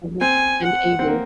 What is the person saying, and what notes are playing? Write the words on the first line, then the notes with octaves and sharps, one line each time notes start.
Mhm, and able.
C4 G#5
F#5
C4
A#3